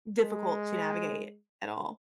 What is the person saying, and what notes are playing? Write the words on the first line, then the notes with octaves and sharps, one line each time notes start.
difficult to navigate, at all.
G#3